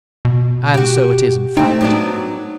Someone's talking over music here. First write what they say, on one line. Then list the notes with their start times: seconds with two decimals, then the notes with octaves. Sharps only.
And so it is in fact.
0.25 B2
0.74 F#4 G4
1.57 A3 C4 D#4
1.81 F#3 B3 D4